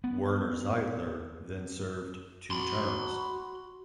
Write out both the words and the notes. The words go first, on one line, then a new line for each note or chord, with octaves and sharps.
Werner Zeitler then served two terms.
B3
F#4 B5 C6